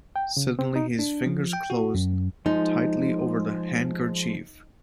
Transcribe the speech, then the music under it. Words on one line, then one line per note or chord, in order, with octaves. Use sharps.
Suddenly his fingers closed tightly over the handkerchief.
G5
C#3
C4
D#4
D4
F3
G5
F#4
F#2
F3 G#3 D#4